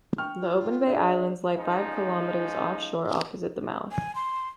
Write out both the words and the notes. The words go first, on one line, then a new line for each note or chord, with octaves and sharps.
The Open Bay Islands lie five kilometres offshore opposite the mouth.
G5 C#6 F6
F4
D4 G#4 C5 E5
A1 F3 G#3 C#4 D#4
G#5
C6